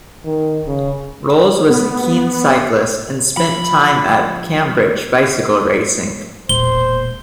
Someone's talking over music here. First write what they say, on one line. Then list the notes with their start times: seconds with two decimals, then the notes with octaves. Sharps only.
Rolls was a keen cyclist and spent time at Cambridge bicycle racing.
0.25 D#3
0.67 C#3
1.69 B3
3.37 F3 B5
6.49 E1 A#2 A#3 C5 G7